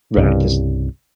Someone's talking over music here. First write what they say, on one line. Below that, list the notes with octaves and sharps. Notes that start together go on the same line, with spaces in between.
Right, this
C2 G2 C#3